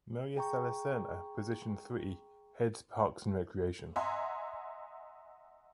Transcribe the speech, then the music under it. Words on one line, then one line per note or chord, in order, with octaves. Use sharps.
Mariacela Serna, position three, heads parks and recreation.
G#4 G5 A#5 C#6
D#5 E5 F#5 G#5 A#5 C6